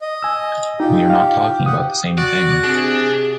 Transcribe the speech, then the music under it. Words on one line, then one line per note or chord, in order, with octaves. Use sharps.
We are not talking about the same thing.
D#5
G#5 E6
D#4 F4 G4
F5
G4 F#5 D#6
F#4 D5
C3 D4 G#4